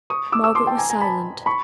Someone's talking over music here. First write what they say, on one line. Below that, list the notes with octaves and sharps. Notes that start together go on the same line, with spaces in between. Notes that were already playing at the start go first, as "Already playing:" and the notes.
Margaret was silent.
C#6 D#6
D6 E6
D6 E6
C6 D6
G5 A5
G#5 A#5
G#5 A#5
A5 B5
B5 C#6